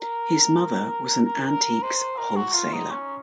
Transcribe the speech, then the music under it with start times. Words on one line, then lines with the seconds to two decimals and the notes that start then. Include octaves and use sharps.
His mother was an antiques wholesaler.
0.02 A#4
1.46 A#4
1.83 C5
2.18 A#4
2.36 F#4
2.54 F4
2.73 D#4
2.90 C#4